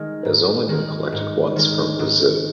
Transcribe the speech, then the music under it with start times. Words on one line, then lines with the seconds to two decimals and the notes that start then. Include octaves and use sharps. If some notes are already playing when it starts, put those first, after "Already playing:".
It has only been collected once from Brazil.
Already playing: D#3 G#3
0.25 G#2
0.69 D#3 G#3
1.12 G#2
1.56 D#3 G#3
1.99 G#2